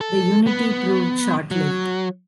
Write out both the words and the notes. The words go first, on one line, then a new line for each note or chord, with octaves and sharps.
The unity proved short-lived.
A4
B3
F#3